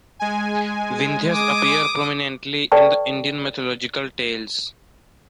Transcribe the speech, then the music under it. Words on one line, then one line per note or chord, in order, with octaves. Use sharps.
Vindhyas appear prominently in the Indian mythological tales.
G#3 G#5
D6 D#6
A4 B4 D5 G5 A5 C#6